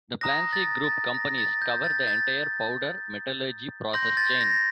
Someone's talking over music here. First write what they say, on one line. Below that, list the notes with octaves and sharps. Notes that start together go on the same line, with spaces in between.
The Plansee Group companies cover the entire powder metallurgy process chain.
A#5 D#6 F#6 A#6
A6
A6
A#6
A6
G6
A6
A6
C6 G6 A#6
A6
A#6